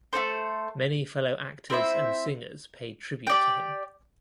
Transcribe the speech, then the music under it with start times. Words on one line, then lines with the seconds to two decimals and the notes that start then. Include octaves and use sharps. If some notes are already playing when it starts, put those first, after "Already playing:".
Many fellow actors and singers paid tribute to him.
0.13 A3 C4 A4 C5
1.70 C4 E4 C5 E5
3.27 G4 D5 G5